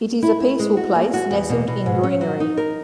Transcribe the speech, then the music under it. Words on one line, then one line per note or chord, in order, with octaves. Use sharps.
It is a peaceful place nestled in greenery.
E4
E4
G#3
F#4
A#3
F#4
E2
B2
B2
G#2
C#4
F#3
D#4
A#4